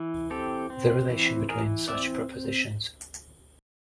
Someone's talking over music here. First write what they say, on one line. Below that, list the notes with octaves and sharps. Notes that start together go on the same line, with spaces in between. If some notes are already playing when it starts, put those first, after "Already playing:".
The relation between such propositions.
Already playing: E3
C4 G4 A4
C4
E3
E3 G#4 A#4
C4 D5 E5